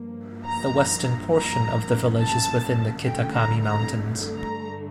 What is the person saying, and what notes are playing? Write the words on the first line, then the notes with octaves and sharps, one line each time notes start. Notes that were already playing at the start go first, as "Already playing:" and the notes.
The western portion of the village is within the Kitakami Mountains.
Already playing: G2 F3 A#3
A#5
A#5
A5
G2 D3 A3 G5
A#5
A#5
A#5